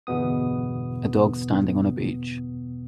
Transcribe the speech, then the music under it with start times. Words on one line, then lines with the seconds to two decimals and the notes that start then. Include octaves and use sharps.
A dog standing on a beach.
0.07 G1 E2 B2 B3 D#6